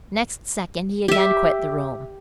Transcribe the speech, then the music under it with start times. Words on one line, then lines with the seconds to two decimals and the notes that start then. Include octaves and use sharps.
Next second he again quit the room.
1.08 G4 E5